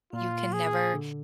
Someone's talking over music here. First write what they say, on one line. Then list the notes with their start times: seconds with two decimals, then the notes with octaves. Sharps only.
you can never
0.13 A#2 F4
0.53 G#4
0.94 D3